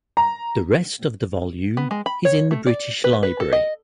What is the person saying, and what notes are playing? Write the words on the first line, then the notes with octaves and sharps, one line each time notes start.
The rest of the volume is in the British Library.
A#5
B3
G#3
B5
C#5
A3
D5
B4
B4
A4
D#5